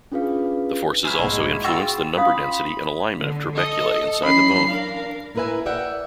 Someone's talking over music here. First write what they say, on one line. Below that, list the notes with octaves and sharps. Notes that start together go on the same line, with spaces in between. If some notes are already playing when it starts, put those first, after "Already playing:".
The forces also influence the number density and alignment of trabeculae inside the bone.
C#4 D4 F4 G#4 B4 F5
F#3 E4 C5 G#5 F6
B1 G#2
F4 F#4 G#4 G5 B5 C6 E6
C#4 F4 F5 B5 D#6
D3
A4 D#5
E3 F#3 C#4 B5 C7
D4 A#4 F5
A#3 E4 A#4 B4 E5 G#5
D5 E5 F#5 G5